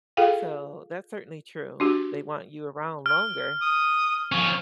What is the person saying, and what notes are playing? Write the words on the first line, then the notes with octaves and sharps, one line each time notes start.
So that's certainly true, they want you around longer.
F4 G#4 A4 F5 G5
D4 F#4 G4
F6
D#6
F3 C#4